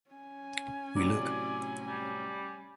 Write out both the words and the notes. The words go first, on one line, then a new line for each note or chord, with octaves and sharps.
We look.
C#4 G#5
A2 C3 F#3 D5
G3